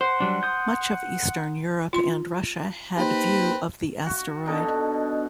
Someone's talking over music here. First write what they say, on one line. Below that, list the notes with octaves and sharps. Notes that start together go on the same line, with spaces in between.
Much of eastern Europe and Russia had view of the asteroid.
C5 F#5
F#3 G3 D4
C6 D#6 G6
F4 C6
A#3 C4 D#4 G4 B4
F#4
B2 D3 D#4